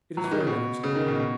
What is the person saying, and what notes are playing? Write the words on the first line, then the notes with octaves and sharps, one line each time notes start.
It is very unexpected.
F#3
E3
D#3
C#3
B2
C#3
D#3
B2
B2